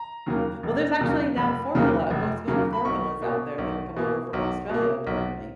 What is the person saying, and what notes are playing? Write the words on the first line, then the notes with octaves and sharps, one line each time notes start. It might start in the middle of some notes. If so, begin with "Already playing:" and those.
Well, there's actually now formula goat's milk formulas out there that have come over from Australia, apparently,
Already playing: A#5
D#2 C#3 F#3 A#3
F1
D#2 C#3 F#3 A#3
F1 B5
D#2 C#3 F#3 A#3
F1
D#2 C#3 F#3 A#3
B5
B1 C#6
B2 A#3
B1
B2 A#3
B1
B2 A#3
B1